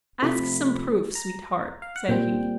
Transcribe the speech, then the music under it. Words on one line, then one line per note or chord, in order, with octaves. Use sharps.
'Ask some proof, sweetheart,' said he.
C3 F3 A3 C4 B5
A#5
F5
F#5
A#2 G3 C4 G5